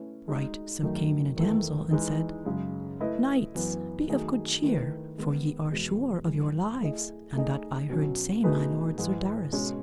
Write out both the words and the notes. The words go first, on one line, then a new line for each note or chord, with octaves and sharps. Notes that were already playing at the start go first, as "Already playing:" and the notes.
Right so came in a damosel and said: Knights, be of good cheer, for ye are sure of your lives, and that I heard say my lord, Sir Darras.
Already playing: A3 C#4 E4 B4
G#3 D#4 F#4
F#2 D#3 F#3 A3 D#4
E2 D#3 A3 E4 A4
E3 G#3 D#4
F#2 C#3 G#3
A3 E4 B4 D#5
F#2 E3 B3
D#3 F#3 A3 D#4 G#4
D#3 A3 E4 B4
D#3 G#3 B3
E2 B2 G#3
F#2 E3 G#3
A3 E4 G#4 D#5
A3 D#4 G#4 D#5
B2 F#3 C#4
B2 A3 D#4 G#4 B4
G#2 E3 G#3
B2 G#3 C#4